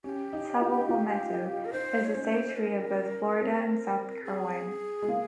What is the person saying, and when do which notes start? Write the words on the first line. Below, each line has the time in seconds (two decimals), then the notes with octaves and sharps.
"Sabal palmetto" is the State Tree of both Florida and South Carolina.
0.04 C#4 G4
0.33 D#4
0.61 F4
0.89 F4
1.65 A#4
1.73 D#4 C5
2.04 C#5
2.14 C#4 C5
2.56 A#4
3.41 C4
4.24 G#4
5.02 G#3
5.08 A#3